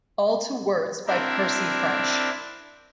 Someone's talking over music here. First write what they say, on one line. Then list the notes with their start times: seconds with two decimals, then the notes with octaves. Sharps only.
All to words by Percy French.
1.07 C4 D4 E4 A#4